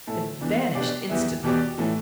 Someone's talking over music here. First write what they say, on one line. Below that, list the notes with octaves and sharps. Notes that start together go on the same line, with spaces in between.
It vanished instantly.
A2 A3 E4 A4
E2 E3 B3 D4
B2 B3 D4 G4 D5
E2 E3 B3 G4 E5
E2 B2 B3 G4 D5
A2 E3 A3